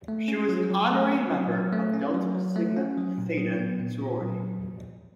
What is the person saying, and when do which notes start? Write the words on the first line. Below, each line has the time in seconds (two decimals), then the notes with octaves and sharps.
She was an honorary member of Delta Sigma Theta sorority.
0.08 A3
0.28 C#4
0.49 F#3
0.70 F#3
0.90 A3
1.12 C#4
1.32 F#3
1.52 F#3
1.73 A3
1.93 C#4
2.14 F#3
2.35 F#3
2.56 A3
2.77 C#4
2.97 F#3
3.18 A#2
3.38 F#3
3.59 B3
3.79 A#2
4.01 A#2
4.21 F#3